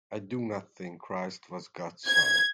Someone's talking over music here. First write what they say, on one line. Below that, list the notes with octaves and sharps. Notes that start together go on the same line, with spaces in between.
I do not think Christ was God's son.
G#6